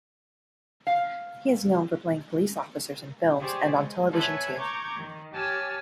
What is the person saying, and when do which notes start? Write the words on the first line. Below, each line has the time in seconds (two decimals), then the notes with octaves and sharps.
He is known for playing police officers in films and on television, too.
0.87 F5
3.39 G4 G#4 C5 D5 C#6
3.72 G#3
4.11 A4 B4 C#5 E5 F#5 G#5
4.57 A#5 C#6 D6 G6 G#6
4.95 D#3
5.33 G4 C#5 G#5 A5 E6 F6